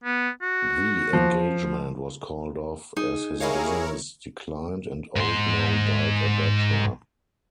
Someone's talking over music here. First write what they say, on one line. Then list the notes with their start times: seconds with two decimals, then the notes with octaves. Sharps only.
The engagement was called off as his business declined and Oldknow died a bachelor.
0.04 B3
0.42 F#4
1.13 F3
2.97 D#4 G#4
3.40 E4 G4 G#4 A#4 C#5 D#5 F5
5.16 G#2 C6